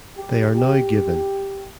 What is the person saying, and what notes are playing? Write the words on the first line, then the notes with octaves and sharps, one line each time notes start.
They are now given.
G4
G4